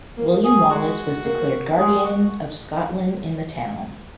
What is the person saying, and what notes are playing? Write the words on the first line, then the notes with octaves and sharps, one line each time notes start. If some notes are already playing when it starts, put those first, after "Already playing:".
William Wallace was declared guardian of Scotland in the town.
A#3
G#4
G#3 F#4
A#3
G#3 G#4
F#4